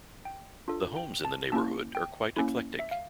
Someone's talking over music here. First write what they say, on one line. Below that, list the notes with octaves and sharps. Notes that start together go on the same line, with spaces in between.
The homes in the neighborhood are quite eclectic.
G5
D4 F4 A4
G5
A5
A#3 C#4 E4 A5
G5
A#3 C#4 E4
E5
F5